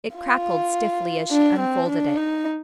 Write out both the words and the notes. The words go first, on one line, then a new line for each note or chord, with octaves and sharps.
It crackled stiffly as she unfolded it.
F4
D4
C4
D4
D#4